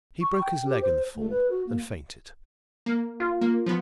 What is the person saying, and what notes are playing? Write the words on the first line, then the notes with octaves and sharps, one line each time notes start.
He broke his leg in the fall, and fainted.
C#6
G5
G4
C5
A3
B4
F#4
A#3
A#3
F4
A#3
F3 B3